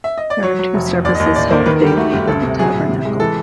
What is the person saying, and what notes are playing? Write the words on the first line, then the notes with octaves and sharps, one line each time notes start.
There are two services held daily in the tabernacle.
E5
D#5
D5
F#3 C#5
F#3
F1
F2
D#2 D5
D#5
D#2
D#5
A1 D5
A#3 C5
D#3 B4
A#4
G3
G4
A3 F#4
G1 G4
D2 A4
C3
F#3 G#4
A2
C3
G#3
E3 A4